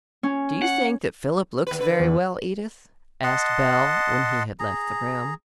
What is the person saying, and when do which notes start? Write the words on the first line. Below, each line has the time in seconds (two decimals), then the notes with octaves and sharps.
"Do you think that Philip looks very well, Edith," asked Belle when he had left the room.
0.23 C#4
0.62 F#5
1.67 D#2 B4
1.78 D3 B4
2.00 E2
3.24 D#5 F#5 A5 C6
4.59 G#4 A#5